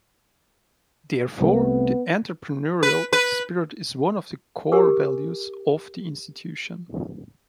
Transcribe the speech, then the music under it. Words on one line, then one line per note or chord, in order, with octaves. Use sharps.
Therefore, the entrepreneurial spirit is one of the core values of the institution.
C2 C3 A3 B3
B4
B4
G4 A#4 G#5 D6